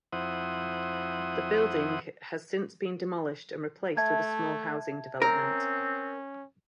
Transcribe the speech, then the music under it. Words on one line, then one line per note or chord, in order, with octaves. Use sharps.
The building has since been demolished and replaced with a small housing development.
F2 E4 C5 F#5 D#6
A3 E5 A5 G#6
C4 C#4 A#4